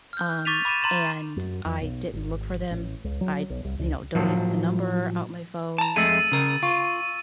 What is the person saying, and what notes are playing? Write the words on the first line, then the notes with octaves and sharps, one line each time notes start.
um, and I didn't look for them, I s you know, deleted the number out my phone;
F6 G6
C#6 D6 A6 B6 D#7 F7
B5 D6 A6 D#7 E7
A#5 C6 A6 E7
F#2
F2
B1
G#1
A1
C#2
F#3
B1
C2
C#2
A2 F3 F#3
A5 A#5
F2 G#3 A3 E6 A6 D#7
C#3 A#4
F4 C#6